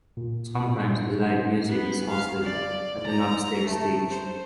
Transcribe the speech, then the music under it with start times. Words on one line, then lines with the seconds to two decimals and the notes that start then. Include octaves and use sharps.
Sometimes the live music is hosted at an upstairs stage.
0.17 A#2
1.67 B3
2.09 F5
2.44 D5
3.06 A#5
3.67 A3
4.10 C5